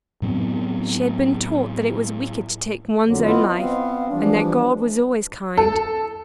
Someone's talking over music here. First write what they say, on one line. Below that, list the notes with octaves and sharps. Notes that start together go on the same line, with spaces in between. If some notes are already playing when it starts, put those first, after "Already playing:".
She had been taught that it was wicked to take one's own life, and that God was always kind.
A2 F#3 B3 C4
F2 D3 F#3
B3 E4 F4 D#5
B3 C4 F5
E3 F3 G3 D4
A4